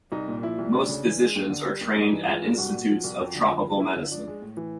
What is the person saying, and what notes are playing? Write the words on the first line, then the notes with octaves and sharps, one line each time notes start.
Most physicians are trained at Institutes of Tropical Medicine.
C2 D#4
A#2
F3 E4
C2
D2 D4
C#3
E3
G#3
D#2
D3
G3
D#2
G2 D#4
E3
G#3 F4
G2
C2 F#4
A#2
F3
C2
F2
D3
F3
G#3
F#2 E4
D3
F3 D4
G#3
A2
E3